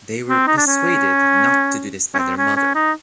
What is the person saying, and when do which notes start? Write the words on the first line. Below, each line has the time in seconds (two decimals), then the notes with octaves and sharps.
They were persuaded not to do this by their mother.
0.29 C4
0.47 D#4
0.57 D4
0.67 C#4
2.14 C#4
2.18 C4
2.37 C#4
2.56 C#4
2.75 D#4